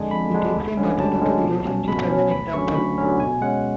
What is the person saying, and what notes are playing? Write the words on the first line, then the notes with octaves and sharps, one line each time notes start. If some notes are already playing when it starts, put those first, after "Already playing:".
He takes a mother-daughter relationship as an example.
Already playing: F2 D3 G#3 D4 G#5
F2 B5
D3 G#3 D4
D2
D3 G#3 C#4
D2 A5
D3 G#3 C#4
B2
F#3 C#4
B2 B5
F#3 C#4
D2 B5
D3 F#3 C#4 C#6
D2 B5
D3 F#3 C#4
B2 G#5
G#3 C#4 F#5